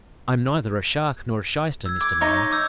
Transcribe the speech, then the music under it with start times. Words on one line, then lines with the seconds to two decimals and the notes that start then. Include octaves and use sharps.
I'm neither a shark nor a shyster, Mr. Man.
1.86 E6 G#6
2.01 D6 G#6
2.21 D#4 C#5
2.51 D6 E6 G6